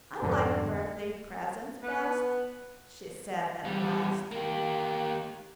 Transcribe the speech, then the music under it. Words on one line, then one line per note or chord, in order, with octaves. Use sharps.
'I like birthday presents best,' she said at last.
F2 G#2 B2 D3
B3 B4
E2 G3
A#3 G4